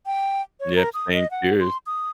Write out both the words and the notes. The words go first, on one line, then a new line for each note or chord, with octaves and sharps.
yep, staying curious.
G5
C#5
A#4
D#6
D#5
F#5
C6
D#6